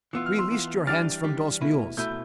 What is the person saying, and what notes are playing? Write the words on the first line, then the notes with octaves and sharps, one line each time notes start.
Release your hands from dose mules.
E3 B3 F4 E6
F6
C6 E6
E3 B3 F4
E3 G3 D4 G4 F6 A6
E3 G3 D4 G4
B2 A3 E4 B4
B2 A3 E4 B4 E6 G6